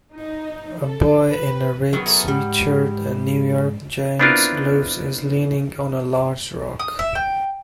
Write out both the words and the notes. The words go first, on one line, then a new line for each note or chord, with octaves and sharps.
A boy in a red sweatshirt and New York Giants gloves is leaning on a large rock.
D#4
A4
B4
D#3 F#3 B3
A3 G#4 A#4
G#2 G3 F#5
B3 C4 D4 E4 F4 A#4
D#6
E5
G5